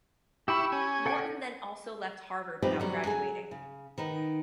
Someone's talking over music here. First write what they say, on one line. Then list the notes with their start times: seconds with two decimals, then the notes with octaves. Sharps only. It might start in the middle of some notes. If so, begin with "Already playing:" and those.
Morton then also left Harvard without graduating.
0.48 E4 G4 G5 B5 C#6 E6
0.72 C#4 G#5
1.06 A4 F#5 G5
2.62 F3 G3 B3 C4 D#4 G4
2.80 D3 F#3 G3
3.05 F#3 G#4 G#5
3.51 C#3
3.98 D#3 B3 D#4